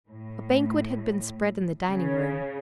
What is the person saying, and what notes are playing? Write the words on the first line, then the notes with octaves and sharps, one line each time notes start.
A banquet had been spread in the dining-room.
A2
C#3